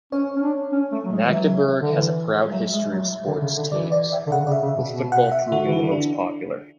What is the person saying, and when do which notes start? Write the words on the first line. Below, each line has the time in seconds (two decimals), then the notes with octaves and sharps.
Magdeburg has a proud history of sports teams, with football proving the most popular.
0.12 C#4 C#5
0.37 C#4
0.42 D4
0.72 C#4
0.92 A3
1.05 F#3
1.13 G#3
1.25 E3
1.32 F#3 E5
1.82 D3
1.92 E3
2.48 G#3
2.52 F#3 E5
2.72 G#3
2.92 F#3
3.27 D3
3.42 C#3
3.57 D3
3.72 E3 D5
3.92 D5
4.12 E5
4.27 D3
4.32 C#3 F#5
4.47 C#3 D5
4.52 E5
4.63 C#3
4.77 B2
4.92 B2
5.12 F#5
5.32 E5
5.52 D3 F#4
5.66 E3
5.72 E4
5.82 D3
5.92 D4